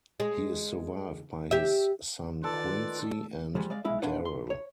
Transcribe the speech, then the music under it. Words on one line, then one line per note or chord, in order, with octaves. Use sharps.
He is survived by his son Quincy and Darrell.
G#3
G4 E5
D#3 F4 A4 B4 D5
F3 G3 G#3
G#3 D5 F5
G#3 E4 F5
A#2 E3 D4 B4 F5 F#5
C6
C#5